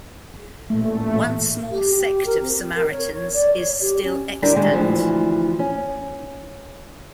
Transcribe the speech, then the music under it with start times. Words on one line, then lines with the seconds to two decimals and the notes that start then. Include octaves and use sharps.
One small sect of Samaritans is still extant.
0.70 A1 A#2 A3
1.71 G4
1.97 G4
2.26 A#4
2.40 C4
2.74 A#4
2.90 C#5
3.13 C#5
3.33 D5
3.54 C#5
3.80 G4
4.03 C#4
4.42 D3 G3 D4 E4 G4 A#4
4.56 D3 D#3 G#3 D#4 G4
4.73 D2 E3 F3
5.59 C#4